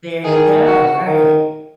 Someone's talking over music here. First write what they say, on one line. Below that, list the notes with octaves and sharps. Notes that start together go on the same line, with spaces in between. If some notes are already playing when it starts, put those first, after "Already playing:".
There ya go. Right.
D#3 G#4
F#4
D#3